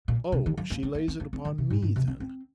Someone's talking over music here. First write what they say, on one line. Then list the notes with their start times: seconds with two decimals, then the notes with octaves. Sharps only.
'Oh!--She lays it upon me, then?'
0.08 A#2
0.32 C3
0.46 D#3
0.58 F3
0.70 A#3
0.83 C4
0.95 A#3
1.08 C4
1.20 A#3
1.33 C4
1.45 D#3
1.58 C3
1.70 G#2
1.82 G#2
1.96 C3
2.07 C4
2.20 C4